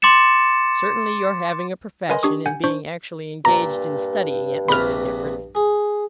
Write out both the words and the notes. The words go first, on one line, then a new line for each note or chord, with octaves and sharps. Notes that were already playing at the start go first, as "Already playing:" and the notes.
Certainly, your having a profession, and being actually engaged in studying it, makes a difference.
C6 D6 A6 C#7 E7
A#4 B4 D#5 G#5 C6
D4 G4 C#6 D#6
F#5 G#5 G6
D4 C5 C#6
G2 A#2 A#5
A#1 C3 B4 B5 F6
G#4